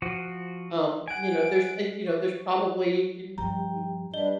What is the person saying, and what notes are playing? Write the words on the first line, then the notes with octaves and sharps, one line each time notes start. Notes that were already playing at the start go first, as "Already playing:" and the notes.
um, you know, there's uh, you know, there's probably you can m
F3 F#4
F#5 G#5 D7
C#6
G2 F3 G4 G5 A#5
G3 D4 G4 B4 D#5 G7